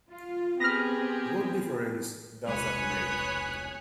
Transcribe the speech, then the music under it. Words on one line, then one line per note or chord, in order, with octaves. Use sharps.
What difference does that make?
F4
B3 C4 G4 G#4 B4 F6 A#6
E1 C2 G#3 B4 C#5 G#5 D#6 F#6